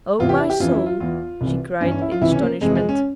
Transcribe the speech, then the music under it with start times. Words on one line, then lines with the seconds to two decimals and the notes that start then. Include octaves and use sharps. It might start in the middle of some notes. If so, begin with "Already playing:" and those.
"Oh, my soul!" she cried in astonishment.
0.19 E2 C3 E3 F4
0.29 G4
0.40 E4
0.50 G4
0.60 F2 C#3 E3 F4
0.73 E4
0.86 F4
1.00 E2 E3 F4
1.41 C2 C3 E3
1.81 G2 E3 C#4
1.91 C#4
2.01 E4
2.12 F4
2.21 C#2 C3 E3 E4
2.32 C#4
2.42 A#3
2.61 F2 C3 E3 G#3
2.75 G#3
2.89 C#4